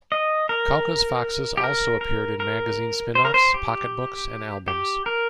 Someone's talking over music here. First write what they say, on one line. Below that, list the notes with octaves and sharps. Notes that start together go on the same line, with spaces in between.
Kauka's foxes also appeared in magazine spin-offs, pocket books and albums.
D#5
A#4
G4
A#4
A#4
A#4
C5
A#4
C5
G4
G4
A#4